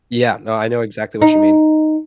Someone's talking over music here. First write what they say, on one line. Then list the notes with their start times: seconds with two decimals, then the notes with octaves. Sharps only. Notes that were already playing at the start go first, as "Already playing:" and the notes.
Yeah, no, I know exactly what you mean.
1.22 D#4